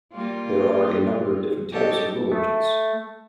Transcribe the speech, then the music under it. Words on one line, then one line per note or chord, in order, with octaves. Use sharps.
There are a number of different types of rule engines.
G3 A#3 F4
F#3 G4 A4 D#5
A3